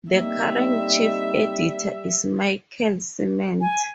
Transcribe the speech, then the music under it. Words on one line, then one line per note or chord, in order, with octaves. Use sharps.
The current chief editor is Michel Ciment.
D3 G3 A#3 C4 D#4 E5
G#5